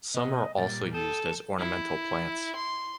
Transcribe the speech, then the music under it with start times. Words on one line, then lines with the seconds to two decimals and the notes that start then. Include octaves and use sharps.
Some are also used as ornamental plants.
0.14 B2 D#5
0.58 A#2 G3 A6
0.94 A4 G5 D#6 E7
1.59 E4
2.55 C6